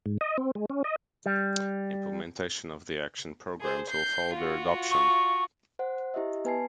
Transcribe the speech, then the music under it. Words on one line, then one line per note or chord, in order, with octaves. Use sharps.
Implementation of the action programmes will follow their adoption.
G#2
D#5
C4
G#3
C#4
D#5
G3
G#4 C5
G6 C7
F4 F#4
C#6
C5 F#5
E4 G4 D#5 E5
B3 B4 G#5 A5 C7